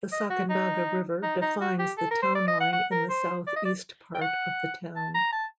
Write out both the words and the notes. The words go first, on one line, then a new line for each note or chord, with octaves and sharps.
The Sacandaga River defines the town line in the southeast part of the town.
D#5
F#4
D#4
D#4
D#4
F#4
G4
A4
A#4
C5
D5
D#5
F#5
F#5
A#4
C5
D5
D#5
D5
G5
F#5
A5
A#5
A5